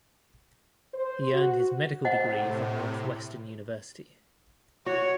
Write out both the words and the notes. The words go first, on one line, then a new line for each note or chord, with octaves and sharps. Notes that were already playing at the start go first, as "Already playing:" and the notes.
He earned his medical degree from Northwestern University.
C5
F#4
A2 C3 C5 D#5 F#5
F#4 C#5